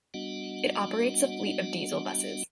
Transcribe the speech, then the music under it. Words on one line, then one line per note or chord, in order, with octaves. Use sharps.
It operates a fleet of diesel buses.
G3 B3 D4 F#4 D#5 F#5